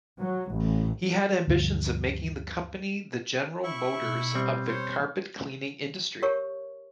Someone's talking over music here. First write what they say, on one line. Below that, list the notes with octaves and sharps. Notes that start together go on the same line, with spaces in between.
He had ambitions of making the company the General Motors of the carpet-cleaning industry.
F#3
A1
D2 G2 D3 F3
E4 E5 C#6
B2
G3 C4
C5 C#5
G4 A#4 C#5 C#6